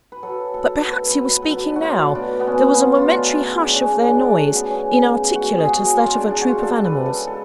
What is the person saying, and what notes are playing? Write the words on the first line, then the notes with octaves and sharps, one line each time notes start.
But perhaps he was speaking now; there was a momentary hush of their noise, inarticulate as that of a troop of animals.
B4
F#3 A4
A3 A4
B2 A4
B4
B2
B4
A4
F#3 B4
F#4
A3 F4
B2 D4
B3
B2 C#4
F#3 F4
F4
A3 D4
C#3
D4
C#3 C#4
C#4
F#3 D4
D4
A3 C#4
B3
C#3 C#4
C#3
G#3 F#4
G#4
C#3 F#4
G#3 F4
D4
C#3 D4
F#4
F4
G#3 A4
B4
C#3
A4
G#3 A4